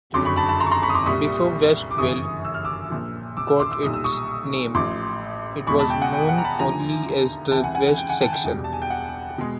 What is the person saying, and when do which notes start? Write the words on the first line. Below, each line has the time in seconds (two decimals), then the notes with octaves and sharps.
Before Westville got its name, it was known only as the West Section.
0.14 F#1 F2 D3 F#3 C6 D6
0.25 B5 C#6
0.36 A5 B5
0.48 A5 B5
0.60 A#5 C6
0.67 C#6
0.71 A#5 C6
0.83 B5 C#6
0.90 D#6
0.95 C6 D6
1.06 C2 A#2 G3 C#6 D#6
1.91 D6
1.98 G1 F#2 C#3 E3 C#6 D#6
2.45 E6
2.54 F6
2.65 D6 E6
2.90 A#1 A#2 F3
3.37 D6 E6
3.48 D6 E6
3.60 C6 D6
3.71 D6 E6
3.83 B1 A#2 G3 D#6
3.94 E6
4.04 C#6 D#6
4.75 A1 A2 F3 C6 D6
5.67 E2 B2 G#3 B5 C#6
5.79 A5 B5
5.90 G5
6.02 F#5 G#5
6.14 G5
6.29 F#5
6.38 A#5
6.44 A5 B5
6.59 D#2 D3 F3 A3 G#5 A#5
7.51 C#2 C3 E3 G5 A5
7.64 F#5 G#5
7.75 F#5 G#5
7.86 F#5
7.98 G5
8.09 F#5 G#5
8.21 G5 A5
8.33 G5
8.44 E1 E2 B2 G3
8.64 A5
8.73 G#5
8.82 G5
8.90 F#5
9.38 B2 G#3